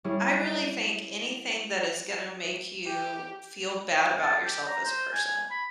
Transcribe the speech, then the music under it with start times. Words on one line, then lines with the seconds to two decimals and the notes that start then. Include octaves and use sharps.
I really think anything that is gonna make you feel bad about yourself as a person.
0.04 G3 C#4 E4 G#4
2.87 G4
4.21 A5
4.44 G4
4.68 A#5
4.85 C5
5.13 G#5
5.51 B5